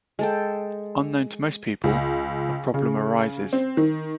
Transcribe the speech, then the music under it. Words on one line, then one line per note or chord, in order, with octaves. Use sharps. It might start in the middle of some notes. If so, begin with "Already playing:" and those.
Unknown to most people, a problem arises.
G#3 A4 G5
C#2
C#3
C4
D#3